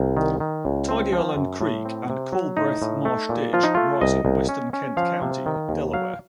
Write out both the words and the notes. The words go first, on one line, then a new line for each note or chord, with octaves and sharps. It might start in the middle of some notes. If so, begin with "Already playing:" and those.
Tidy Island Creek and Culbreth Marsh Ditch rise in western Kent County, Delaware.
Already playing: C2
D#3
D#3
C#2
C4
F3
F#2
A2
C4
C3
F#3
A2 D#4
A2
A3
A#2
F3 F4
D#4
A3 F4
C2 D#5
C2
C#4
C#4
F3 F5
C3
D#3
D#2
F#3 F5